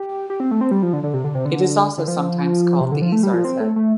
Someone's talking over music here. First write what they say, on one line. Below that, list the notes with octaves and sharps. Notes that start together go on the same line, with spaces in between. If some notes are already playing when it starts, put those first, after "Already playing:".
It is also sometimes called the Isar's head.
Already playing: G4
G4
C4
A3
C4
G3
F3
D3
D3
C3
D3
C3
D3
D3
F3
C3
D3
F3
A3
G3
F3
C4
A3
A3